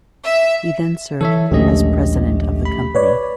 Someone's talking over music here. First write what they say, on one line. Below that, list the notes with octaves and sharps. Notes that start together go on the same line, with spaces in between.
He then served as president of the company.
E5
E3 A4 C#5 E5
A#1 D#2 D3 G#3 A3 C#4 G4 D#5
B5
B4 C#5 D5